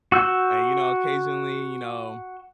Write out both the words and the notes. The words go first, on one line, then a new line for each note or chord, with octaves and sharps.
and, you know, occasionally you know,
F#4 E6 G6